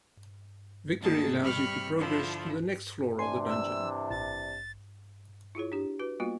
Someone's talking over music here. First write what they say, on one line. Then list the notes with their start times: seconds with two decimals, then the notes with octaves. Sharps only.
Victory allows you to progress to the next floor of the dungeon.
1.01 D2 D#3 A#3 G#4 A5 A6
1.41 C3 G3 B5 C#6 F6
1.97 D3 F3 E4
3.19 C3 E3 D4 G#5 C6
3.49 E6
4.11 A1 A6
5.55 E4 F4 G#4 C#5
5.72 D4 G4
5.99 F#4 B4
6.20 G3 A#3 B3 F4 F#4